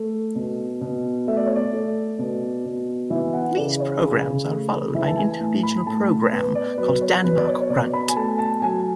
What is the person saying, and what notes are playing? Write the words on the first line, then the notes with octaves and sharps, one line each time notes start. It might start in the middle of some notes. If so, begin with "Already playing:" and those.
These programs are followed by an inter-regional program called Danmark Rundt.
Already playing: A3
B2
B2
A3 E5
D5
C#5
D5
A3
B2
B2
E3 E5
F#5
C#3 D5
C#5
C#3
A3
E3 E5
A5
G#5
A2
B5
A2 A5
B3 B4
D5
F#3 B4
C#5
B2 B4
D5
C#5
C#5
B2 D5
B5
G#5
A3 A5
A5
F#3 G#5